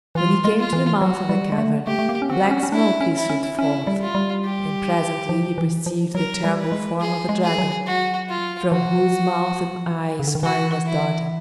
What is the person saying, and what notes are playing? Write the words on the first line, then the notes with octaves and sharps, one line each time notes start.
When he came to the mouth of the cavern, black smoke issued forth; and presently he perceived the terrible form of a dragon, from whose mouth and eyes fire was darting.
E3 F4
G#3
F4
E3
F#3 F#4
G3
G#3
A3
A3 G4
A3
A#3
C#4
C4 F#4
C4
C#4
C#4
D4 E4
C#4
E4
C#4
C#4 E4
G3
F4
G3
G4
F3
E3
F3
F#3 A#4
G3
B4
G#3
G#4
G#3
G#4
F#3
F#4
F4
F3 F#4
C#3
D3
D#3
E3 F#4
E4